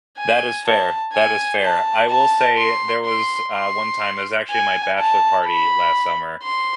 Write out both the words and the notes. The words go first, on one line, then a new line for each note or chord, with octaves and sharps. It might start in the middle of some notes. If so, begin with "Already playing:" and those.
That is fair that is fair, I will say there was, uh, one time, it was actually my bachelor party last summer,
G#5
A5
G#5
A5
A5
C6
C6
C6
G#5
A5
B5
C6